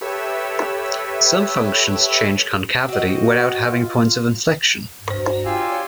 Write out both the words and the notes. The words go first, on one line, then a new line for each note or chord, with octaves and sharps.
Some functions change concavity without having points of inflection.
G4 A4 B4 C#5 E5 E6
C4 F#4 D#5
F4
D4 F#4 C5 A#5
F4 G4 C#5 D5 G5 G#5 E6